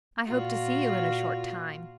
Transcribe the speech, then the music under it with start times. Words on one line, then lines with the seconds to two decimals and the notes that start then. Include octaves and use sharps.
I hope to see you in a short time.
0.25 A#2 F4 F#4